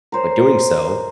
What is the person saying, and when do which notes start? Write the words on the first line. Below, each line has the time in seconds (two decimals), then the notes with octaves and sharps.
but doing so,
0.12 A#4 C5 C#5